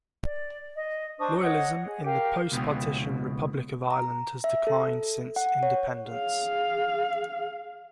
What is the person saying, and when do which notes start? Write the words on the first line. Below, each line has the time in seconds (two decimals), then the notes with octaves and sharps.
Loyalism in the post-partition Republic of Ireland has declined since independence.
0.24 D5
0.75 D#5
1.19 D4 C5 C#6 D#6
1.43 C#5 D#5 F#5 D#6
1.87 G#4
2.05 G4 A#4 F5 G5
2.52 C#2 B2
3.91 A#5
4.44 E5
4.67 A4
5.36 F#5
5.63 C#5
6.09 G#4 F5